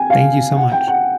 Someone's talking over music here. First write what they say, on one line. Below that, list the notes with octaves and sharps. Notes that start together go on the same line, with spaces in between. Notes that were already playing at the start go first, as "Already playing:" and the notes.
Thank you so much.
Already playing: G5 G#5
F5
F#5
G5
F#5